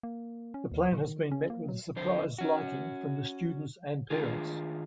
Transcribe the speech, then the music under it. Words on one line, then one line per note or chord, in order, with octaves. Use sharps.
The plan has been met with a surprise liking from the students and parents.
A#3
C#4
D#2
A#2
D#3
C#4
A#3
F#3
F2 D3 C5
C#4 F#4
D#3 D4 F4 G#4